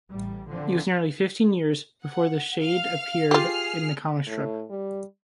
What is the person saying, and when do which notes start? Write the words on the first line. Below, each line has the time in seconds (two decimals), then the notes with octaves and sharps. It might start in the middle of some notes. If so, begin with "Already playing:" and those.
It was nearly fifteen years before Shayde reappeared in the comic strip.
0.11 A1 G3
0.48 D3 E3 F3 C4
2.01 F#5
2.60 F5 F6
3.31 F4 G4 G#4 F6 C7
4.26 A2
4.70 G3